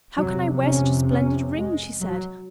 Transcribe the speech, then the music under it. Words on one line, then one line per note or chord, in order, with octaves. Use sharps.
"How can I wear such a splendid ring?" she said.
F2 C3 F#3
C#4
C#4
G#3
F#3